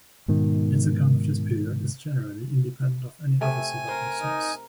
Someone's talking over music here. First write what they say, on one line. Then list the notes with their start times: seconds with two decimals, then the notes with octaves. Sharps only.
Its account of this period is generally independent of any other surviving source.
0.28 G#2 B2 D#3
3.41 C3 A3 G#5
3.88 A#4 C5
4.22 D#4